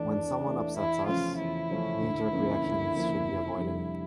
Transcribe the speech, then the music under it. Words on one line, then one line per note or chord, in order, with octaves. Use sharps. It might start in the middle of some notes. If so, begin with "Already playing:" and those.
When someone upsets us, knee-jerk reactions should be avoided.
Already playing: E2 E3 A3 D4
E2
E3 A3
E2 E4
C#3 F3 A3 C#4 F4
E2 E4
C#3 F3 A3 C#4
D2
C#3 F3 A#3 C#4
D2
C#3 F3 A#3 C#4
F1
F2 D3 G3